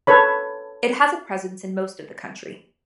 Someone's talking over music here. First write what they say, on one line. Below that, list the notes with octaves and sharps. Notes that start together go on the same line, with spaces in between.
It has a presence in most of the country.
A4 B4 C#5 B5